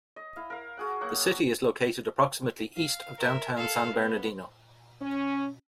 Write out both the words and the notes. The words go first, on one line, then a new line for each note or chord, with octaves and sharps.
The city is located approximately east of downtown San Bernardino.
D#5
E4 F5
A#4 F5
F#4 G#4 F#5
F#3 A#3 F#5
F5
A#4 E5
A4 F5
B3
C#4